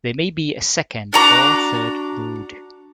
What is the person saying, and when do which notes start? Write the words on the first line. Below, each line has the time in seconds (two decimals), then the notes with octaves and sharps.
There may be a second or third brood.
1.13 D4 F#4 A#5 D6